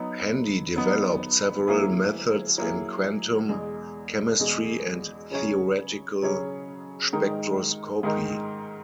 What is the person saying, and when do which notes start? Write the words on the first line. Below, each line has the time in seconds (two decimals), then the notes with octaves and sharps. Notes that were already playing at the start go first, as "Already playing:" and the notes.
Handy developed several methods in quantum chemistry and theoretical spectroscopy.
Already playing: F#3 B3 D#4
0.76 F#3 B3 D#4
1.67 F#3 A#3 E4 G#4
2.58 F#3 A#3 E4 G#4
3.49 E2 B2 G#3
4.39 E2 B2 G#3
5.31 C#3 F#3 C#4 G#4 C#5
6.22 C#3 F#3 C#4 G#4 C#5
7.13 G#2 D#3 G#3 D#4 A#4
8.03 G#2 D#3 G#3 D#4 A#4